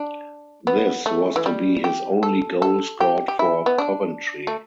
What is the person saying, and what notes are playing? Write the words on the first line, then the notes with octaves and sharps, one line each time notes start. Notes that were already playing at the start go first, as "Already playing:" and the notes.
This was to be his only goal scored for Coventry.
Already playing: D4
B3
A3
E3
G3
G4
A4
A4
G4
G4
E4
B3
D4
A3